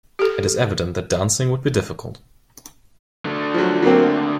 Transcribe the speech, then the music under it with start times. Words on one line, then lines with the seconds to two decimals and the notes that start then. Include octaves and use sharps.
It is evident that dancing would be difficult.
0.19 G4 A4
3.25 D3 A3
3.54 F3 F#3
3.82 F#3 A#3 C4